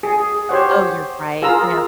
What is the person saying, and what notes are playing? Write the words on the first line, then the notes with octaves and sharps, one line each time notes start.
Oh, you're right. I know.
G#4
G4 C5 C#5 F#5
F4 G#4 A#4 A#5 E6